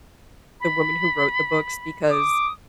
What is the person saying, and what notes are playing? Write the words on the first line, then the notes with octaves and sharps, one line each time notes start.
the woman who wrote the books, because
B5
D6 D#6